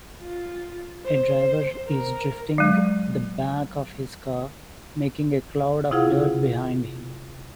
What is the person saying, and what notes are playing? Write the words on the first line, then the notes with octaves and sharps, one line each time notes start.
A driver is drifting the back of his car, making a cloud of dirt behind him.
F4
C5
A#4
F#3 G#3
C3 E4 F4 G#4 F5 F#5